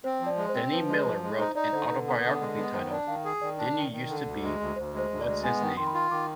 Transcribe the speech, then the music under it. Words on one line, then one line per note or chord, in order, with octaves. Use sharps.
Denny Miller wrote an autobiography titled Didn't You Used To Be...What's His Name?
C4 C5
F3
D5
G#3
C5
C4
F3 B4
G#3
B4
F3
G#3
D#4 C5
D#4 D5
D3 C5
D3 B4
B3
D3
G#3
B3
D#3 C5
D4 D5
D#3 F5
G#4
D#3 D5
D4
D#3
D#3
D3
D2
G#3
D2
D2 C5
G#3 C5
D2
D5
G#3
B3 G#5
D#3
D#3 C6
B5
F4 C6
D#3 D6